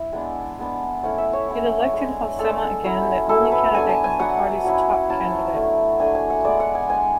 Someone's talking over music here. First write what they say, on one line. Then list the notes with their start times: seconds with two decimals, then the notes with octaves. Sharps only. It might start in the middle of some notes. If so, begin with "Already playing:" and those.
It elected Halsema, again the only candidate, as the party's top candidate.
Already playing: E4
0.13 G#3 B3 D4
0.59 G#3 B3 D4
1.03 A3 C#4 E4 F#5
1.18 E5
1.33 C#5
1.48 A3 C#4 E4
1.93 G#3 D4
2.39 G#3 D4 A4
2.84 F#3 C#4 E4
3.29 F#3 C#4 E4 A4
3.52 B4
3.74 F#3 B3 D4 G#5
3.89 A5
4.04 G#5
4.19 F#3 B3 D4 F#5
4.64 F#3 C#4 E4
5.09 F#3 C#4 E4 A5
5.55 A3 D4
6.00 A3 D4 G#5
6.15 G#5
6.30 F#5
6.45 G#3 B3 D4 D5
6.60 F#5
6.75 G#5
6.90 G#3 B3 D4 G#5